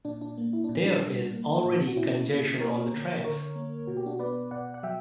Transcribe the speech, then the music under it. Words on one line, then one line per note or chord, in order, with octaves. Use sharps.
There is already congestion on the tracks.
A#2 D4
D4
A#3
E4
A#2 D4
C#4
D4
G3
A#3
A#2
F#4
A#2 C#4 E4
A#3
A#3 A#4 C#5
D3
D3 A#4 C#5
A#3
B2 F#4
G4
D4 F#4
B3 B4 D5
B2 D5 F#5
F#5
F#3 E5 G5